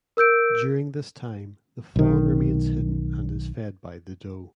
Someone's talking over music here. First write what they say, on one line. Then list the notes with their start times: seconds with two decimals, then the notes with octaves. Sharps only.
During this time, the fawn remains hidden and is fed by the doe.
0.17 A#4 E6 G6 D7
1.96 B1 D#3